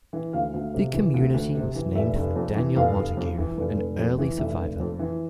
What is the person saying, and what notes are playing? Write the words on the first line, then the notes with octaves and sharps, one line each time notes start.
The community was named for Daniel Montague, an early surveyor.
E3
D2 F5
D2
C3
E3
D2
D2
C3
E3
F1 E5
F1
F2
E3
F1 F5
F1
F2
E3
F1
F1
F2
E3
F1 E5
F1
F2
E3